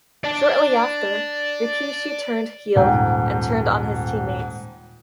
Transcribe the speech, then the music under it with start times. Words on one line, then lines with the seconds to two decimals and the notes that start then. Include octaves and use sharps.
Shortly after, Rikishi turned heel and turned on his teammates.
0.24 D5 A5
2.76 D#1 G#2 G5